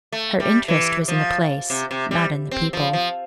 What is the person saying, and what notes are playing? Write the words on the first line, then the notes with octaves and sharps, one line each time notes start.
Her interest was in the place, not in the people.
A3
G3
E3
F3
C3
C3
G3
C4
F3
F3